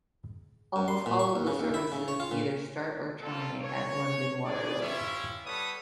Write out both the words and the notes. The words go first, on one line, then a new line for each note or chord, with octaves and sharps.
Almost all of the services either start or terminate at London Waterloo.
F#2
C6
A#2
C#6
D#2
C#3
D#2
E4
C#3
C#5
F4
A#2
G3 A#3 C4 F4 A4
C#5
G#4 D5
C#4 E4 F4 G4 C#5 E5
G3 B3 A4 B4 C#5 D#6